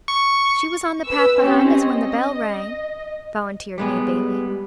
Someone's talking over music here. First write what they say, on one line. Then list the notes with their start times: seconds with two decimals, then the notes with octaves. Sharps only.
"She was on the path behind us when the bell rang," volunteered May Bailey.
0.08 C#6
1.06 B4 E6
1.42 C4 C#4 G4
1.72 D#5
3.78 G3 G#3 B3